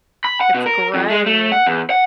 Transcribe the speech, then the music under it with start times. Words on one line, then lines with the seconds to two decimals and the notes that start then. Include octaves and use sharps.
It's gray.
0.24 B5
0.41 F#5
0.54 B2
0.66 A#4
0.94 F2
1.10 G#3
1.26 A3
1.52 F#5
1.67 E2
1.90 F#5